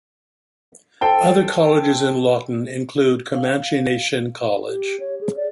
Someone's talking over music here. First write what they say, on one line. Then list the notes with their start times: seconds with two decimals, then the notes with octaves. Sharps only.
Other colleges in Lawton include Comanche Nation College.
1.01 A4 C5 G5 A5
3.35 F5
4.66 G4
5.00 C#5
5.21 G#4
5.36 D5